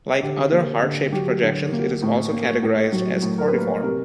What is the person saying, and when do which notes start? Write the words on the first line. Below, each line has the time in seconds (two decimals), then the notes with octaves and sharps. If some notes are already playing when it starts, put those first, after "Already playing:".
Like other heart-shaped projections, it is also categorized as cordiform.
0.22 D3 G4
0.52 A#3
0.82 D3
1.12 F#3 G4
1.43 D3
1.72 A#3
2.02 A2
2.32 A#3
2.62 A2
2.92 F#3
3.22 A2
3.38 A#4
3.48 A#3 B4
3.58 A#4
3.83 C3 A#4